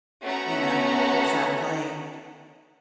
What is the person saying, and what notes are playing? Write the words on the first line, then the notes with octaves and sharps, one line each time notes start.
Yeah, exactly.
A3 B3 C#4 F#4 F#5 A#5